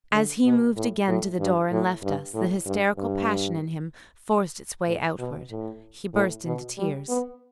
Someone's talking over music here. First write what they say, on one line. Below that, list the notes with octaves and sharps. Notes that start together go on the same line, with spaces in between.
As he moved again to the door and left us, the hysterical passion in him forced its way outward--he burst into tears.
D3
B2
A2
A2
G2
A2
G2
A2
G2
G2
A2
B2
A2
A2
B2
G3
B3